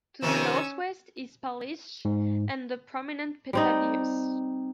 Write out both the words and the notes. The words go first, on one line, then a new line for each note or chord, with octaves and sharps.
To the northwest is Palitzsch and the prominent Petavius.
C3 D#3 F3 C#4 E6
G#2
G3 C4 D#4